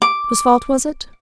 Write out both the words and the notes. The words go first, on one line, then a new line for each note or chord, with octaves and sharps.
Whose fault was it?
D6